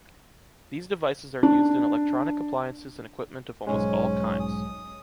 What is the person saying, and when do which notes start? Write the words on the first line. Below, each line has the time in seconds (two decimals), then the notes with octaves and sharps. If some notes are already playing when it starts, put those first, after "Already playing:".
These devices are used in electronic appliances and equipment of almost all kinds.
1.43 D4
3.67 B1 G#2 G#3 C#4
4.40 D#6